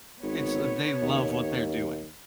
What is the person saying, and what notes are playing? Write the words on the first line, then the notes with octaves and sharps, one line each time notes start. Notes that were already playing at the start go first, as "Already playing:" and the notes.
It's they love what they're doing.
G#1 B3 C#5
D#2